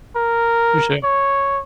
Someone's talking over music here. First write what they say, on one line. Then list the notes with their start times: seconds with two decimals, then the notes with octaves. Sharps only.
For sure.
0.16 A#4
1.04 C#5